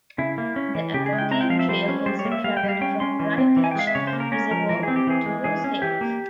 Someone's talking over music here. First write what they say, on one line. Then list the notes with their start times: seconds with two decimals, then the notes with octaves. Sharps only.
The Applegate Trail also traveled from Rye Patch Reservoir to Goose Lake.
0.18 C#3 E4
0.38 A#3
0.56 C#4
0.75 E3
0.94 C#3 G4
1.06 G#4
1.13 G#3
1.18 G5
1.31 C4 A#5
1.41 G5
1.50 F3 F5
1.59 E5
1.68 G3 C5
1.88 C#4
2.06 G3 C5
2.19 C#5
2.25 A#3
2.32 E5
2.44 G3 F5
2.57 G5
2.64 G3
2.69 F5
2.81 C#4 G5
3.00 C#4 C6
3.20 E3
3.38 C4
3.57 E3
3.64 G#5
3.71 G5
3.76 G#3 F5
3.87 E5
3.95 C#3 C#5
4.07 C5
4.13 A#3
4.20 A#4
4.32 C#4 A#4
4.51 F3 A#4
4.69 E3 A#4
4.83 C4 G#4
4.96 G4
5.07 E3 G#4
5.26 G#3
5.44 E3 G#4
5.64 C#4
5.82 E3 G4
6.01 A#3